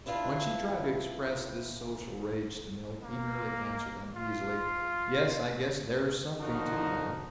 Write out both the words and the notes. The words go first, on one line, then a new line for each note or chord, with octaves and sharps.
When she tried to express this social rage to Milt he merely answered uneasily, "Yes, I guess there's something to that."
B3 D4 E4 F4 B4
A#3
F4
D3 F3 D#4 F#4 A#4